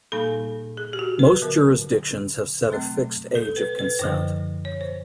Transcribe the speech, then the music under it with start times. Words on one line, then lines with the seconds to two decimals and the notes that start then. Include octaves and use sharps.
Most jurisdictions have set a fixed age of consent.
0.12 A#2 G3 A#3 D#4 A4
0.77 G#4
0.93 G4
0.99 F#4
1.19 B4
1.42 D3 F#3 B3 A#4
2.70 B2 F#3 A3 C4
3.35 A4
3.56 B4
3.79 B4
3.99 F#2 D3 F3 C5
4.65 C#5
4.81 C5